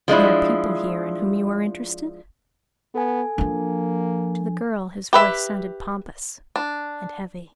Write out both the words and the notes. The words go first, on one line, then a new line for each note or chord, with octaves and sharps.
"There are people here in whom you are interested?" To the girl his voice sounded pompous and heavy.
F3 G#3 D4 E4
B3 A4 G#5
F3 A#3 D4
G4 B4 E5
D4